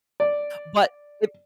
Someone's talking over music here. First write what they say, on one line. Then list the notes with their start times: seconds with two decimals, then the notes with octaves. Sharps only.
but i
0.20 D5